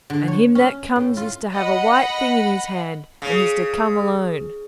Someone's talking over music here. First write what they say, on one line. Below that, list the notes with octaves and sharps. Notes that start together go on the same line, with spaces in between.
And him that comes is to have a white thing in his hand, and he's to come alone.
D3
C#5
C#4
A2
F4
D#5 F#5 B5
C#3